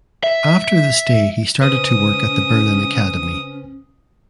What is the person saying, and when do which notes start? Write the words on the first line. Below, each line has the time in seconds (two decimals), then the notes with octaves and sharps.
After the stay he started to work at the Berlin Akademie.
0.24 E5
1.61 C#3 C#4 B4 C5 D#6